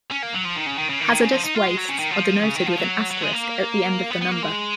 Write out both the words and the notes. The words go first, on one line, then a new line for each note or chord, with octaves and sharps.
Hazardous wastes are denoted with an asterisk at the end of the number.
C#4
A#3
F#3
F3
D#3
C#3
D#3
C#3
D#3
D#3
C#3
F3
D#4
F4
G#3
F#3
C#3
D#3
F3
C#3
D#3
F3
F#3
F#3
G#3
A#3
B3
B3
A#3
G#3